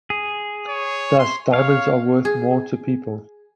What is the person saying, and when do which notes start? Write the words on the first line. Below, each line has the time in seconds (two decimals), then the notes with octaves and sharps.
Thus, diamonds are worth more to people.
0.10 G#4
0.68 C#5
1.19 C6
1.54 C#5 F5
2.25 G#4